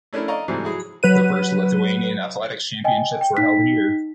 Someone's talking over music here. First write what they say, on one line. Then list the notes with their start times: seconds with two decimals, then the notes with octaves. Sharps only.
The first Lithuanian athletics championships were held here.
0.13 A3 C#4 D4 E4 A#4
0.28 D5 D#5 F5 A#5 C#6
0.48 G#2 C3 E3 F#3 G3 A3
0.64 F#3 E4 F#4 G#4
1.03 F#3 B4 D#7
2.84 D#5 G5 G#5
3.21 G5
3.37 D#4 B6